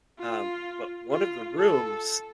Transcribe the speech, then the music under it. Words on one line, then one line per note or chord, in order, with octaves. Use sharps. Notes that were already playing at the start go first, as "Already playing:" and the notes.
um, but one of the rooms
F4
F4
A4